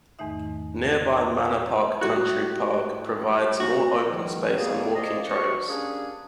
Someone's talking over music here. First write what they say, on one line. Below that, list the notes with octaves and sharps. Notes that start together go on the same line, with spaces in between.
Nearby Manor Park Country Park provides more open space and walking trails.
E2 G#2 D#3 A3 D#4 E5
A2 G3 F#4 F#6
F#4
G#2 B2 D3 D#3 F3 G3
G3 A#3 B3 G#4
C4 F4 G#4 D5 D#5
C3 F#4 C#6
G3 A#3 C#4 D4 G#4